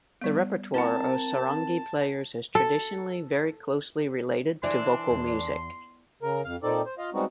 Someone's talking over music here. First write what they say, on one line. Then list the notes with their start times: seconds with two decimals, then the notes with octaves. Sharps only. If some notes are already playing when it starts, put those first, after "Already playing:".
The repertoire of "sarangi" players is traditionally very closely related to vocal music.
0.21 G3 B3
0.74 C4 E4 A#4 F#5 A5
2.55 A4
4.63 E3 D4 E4 C5 D5 C6
5.09 E2
6.22 C#3 A#4
6.45 F2 F5
6.63 A#2 C4 D#4 A4 D5
6.85 C5
6.98 F4 D#5 F5
7.14 G3 G#3 B3 C4 D#4 F#4